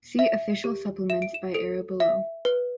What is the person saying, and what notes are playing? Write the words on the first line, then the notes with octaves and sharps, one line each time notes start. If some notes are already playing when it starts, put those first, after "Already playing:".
See Official Supplements by era below.
E5
G4
E5 E7
D7
E7
A4 D7
E5
B4